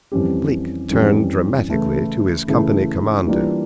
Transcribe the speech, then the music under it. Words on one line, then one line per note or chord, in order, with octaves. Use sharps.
Blake turned dramatically to his company commander.
F2 E3 G3 C#4 G4
F2 E3 G3 C#4 G4
C#3 E3 A3 E4
C#3 E3 A3 E4
E3 G3 A#3 D4 F4